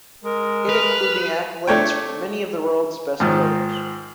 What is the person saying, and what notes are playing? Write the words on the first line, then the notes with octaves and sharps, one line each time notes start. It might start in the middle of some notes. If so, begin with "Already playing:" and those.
It including accolades from many of the world's best players.
G#3 A#4
B4 F6
A3 D4 C#5 G5
G#2 D#3 F3